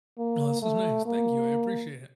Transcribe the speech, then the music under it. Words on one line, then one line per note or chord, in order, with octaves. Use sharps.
No, this was nice. Thank you, I appreciate it.
A#3
A3
A#3